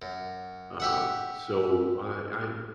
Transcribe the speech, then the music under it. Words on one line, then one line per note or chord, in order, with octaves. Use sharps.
um, so, I I
F#2
G4 E5 F#5